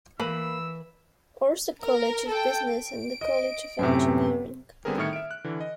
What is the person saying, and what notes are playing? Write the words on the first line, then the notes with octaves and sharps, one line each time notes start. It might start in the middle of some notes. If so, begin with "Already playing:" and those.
Ourso College of Business and the College of Engineering.
E3 A#3 B4 B5 E6
A#4
A4 G5
D7
D#5
F#2 A2 C3
D3 G3 B3 C4 G#4 A#4
A2 D#3 E4 F6 C#7
E5 D7
F#6
D3 E3
D#5